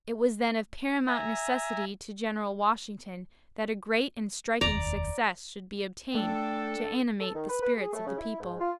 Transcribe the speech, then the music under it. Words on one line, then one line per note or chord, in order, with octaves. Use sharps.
It was then of paramount necessity to General Washington that a great and striking success should be obtained to animate the spirits of the people.
E5 G#5 A#5
F1 D#2 D5 A#5
A3 D4 A4 G5
A4
D#3
B4
B4
G#4
A3
C#3
E4
G#2
F4